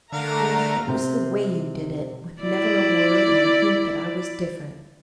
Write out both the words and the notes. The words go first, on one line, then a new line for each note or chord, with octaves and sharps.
And it was the WAY you did it, with never a word or a hint that I was different.
D3 A3 A#4 F5 F#5 A#5
C3
E4 D5